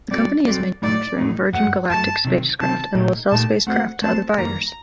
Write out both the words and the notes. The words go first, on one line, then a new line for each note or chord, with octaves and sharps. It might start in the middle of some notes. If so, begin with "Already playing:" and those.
The company is manufacturing Virgin Galactic's spacecraft and will sell spacecraft to other buyers.
G3 C4 F#4 A4 D5
G3 C4 F#4 A4 D5
A2 F#3 A3 D#4 D5
A2 F#3 A3 D#4
G2 F#3 A3 F#5
G2 F#3 A3 A5
C3 D#3 F#3 C4
C3 D#3 F#3 C4 A5
A#2 A3 D#4 G4
A#2 A3 D#4 G4 A5
A3 C4 F#4 A4 C5 F#5
A3 C4 F#4 A4 C5 A5
F#2 D#3 G3 A#3 A#5